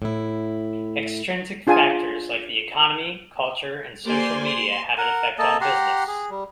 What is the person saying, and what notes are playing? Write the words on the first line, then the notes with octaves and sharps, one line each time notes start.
Extrinsic factors like the economy, culture and social media have an effect on business.
A2 E4
D4 F4 G#4 G#5 A5
A#3 G4 C5 D5 G#5 C6
C6
A#4 F#5
A#3 A4 D#5 A5
G4 F#5 A#5 C6
G#4
G3